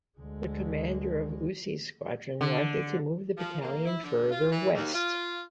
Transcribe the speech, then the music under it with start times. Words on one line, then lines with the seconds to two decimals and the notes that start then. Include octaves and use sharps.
The commander of Uhse's squadron wanted to move the battalion further west.
0.18 D2 G#3
2.41 D3
3.38 F3
3.60 A#3
3.85 E4
4.04 D3
4.31 F4
4.51 E3
4.75 D#2
4.94 F4